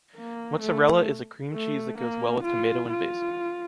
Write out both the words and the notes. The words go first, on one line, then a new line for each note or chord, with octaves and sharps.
Mozzarella is a cream cheese that goes well with tomato and basil.
A#3
A3
A3
A#3
F4
F4